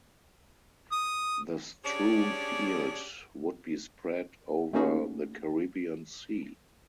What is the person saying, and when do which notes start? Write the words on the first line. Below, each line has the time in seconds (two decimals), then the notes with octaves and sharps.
The strewn field would be spread over the Caribbean Sea.
0.92 D#6
1.85 C#4 D4 G4 G#4 C#5 D5
4.73 A3 A#3 C#4 D#4 F#4 G#4